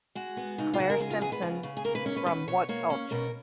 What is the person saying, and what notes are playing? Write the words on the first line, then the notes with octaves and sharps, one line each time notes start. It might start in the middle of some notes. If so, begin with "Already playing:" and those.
Clare Simpson from WhatCulture!
G#3 F#4
B3
C#3 D#4
F4
C#3 F#4
A#4
G#3 G#4
F4
B3 G#4
B4
C#3
C#3
G#4
A#3 A#4
B4
C#4 C#5
B4
B2 B4
B2 C#5
A#3 C#5
C#4
B2 A#4